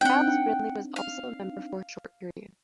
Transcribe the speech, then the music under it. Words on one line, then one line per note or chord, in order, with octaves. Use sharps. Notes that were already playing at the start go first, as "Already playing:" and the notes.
Giles Brindley was also a member for a short period.
C4 D4 D#4 F#5 G5
F5